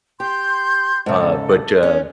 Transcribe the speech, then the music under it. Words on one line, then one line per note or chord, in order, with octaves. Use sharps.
uh, but, uh,
G4 C6 G6
G#2 C#3 A4
C#4